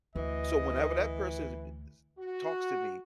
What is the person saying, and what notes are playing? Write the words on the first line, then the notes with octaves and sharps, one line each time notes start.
so whenever that person i is talks to me,
D2 E3 D#5
F#4